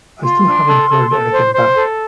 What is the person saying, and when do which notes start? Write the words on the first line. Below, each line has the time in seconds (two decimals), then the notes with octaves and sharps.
I still haven't heard anything back.
0.23 F4 C6
0.45 D4
0.67 A4
0.89 A4
1.10 A4
1.32 C5
1.54 C5
1.76 A4